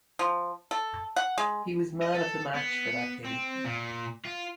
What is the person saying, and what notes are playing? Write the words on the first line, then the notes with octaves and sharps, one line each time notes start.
He was man of the match for that game.
F3
A4
F#5
G#3
D#5
A4
B3
C4
A#2
F4